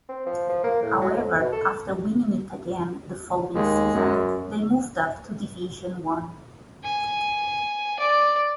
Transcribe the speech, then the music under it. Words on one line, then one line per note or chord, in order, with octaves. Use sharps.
However, after winning it again the following season, they moved up to Division One.
C4
F3
F3
A#3
A2
F#3
F2
B2
A4
D#2 G#3
F#2
G#5
D5